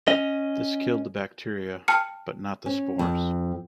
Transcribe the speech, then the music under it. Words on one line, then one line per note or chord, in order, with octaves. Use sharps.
This killed the bacteria, but not the spores.
C#4 D#5
G5 A5 F6 C#7
C#4
F2